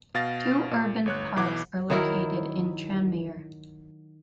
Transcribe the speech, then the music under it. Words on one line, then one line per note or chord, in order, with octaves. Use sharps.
Two urban parks are located in Tranmere.
B2 F5 A6 A#6
A#2
G1 C#5 F#6
B1 E3 D6
D#3 F#3 E4 A#4